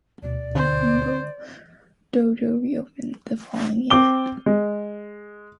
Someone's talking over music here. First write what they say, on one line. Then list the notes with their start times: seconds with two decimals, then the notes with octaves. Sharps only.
The Hombu dojo re-opened the following year.
0.22 D2 B2 D5
0.55 D3 C5
3.90 C4 D6 G7
4.46 G#3